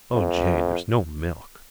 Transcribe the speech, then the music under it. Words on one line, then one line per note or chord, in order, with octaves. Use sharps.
O, jay, there's no milk.
F2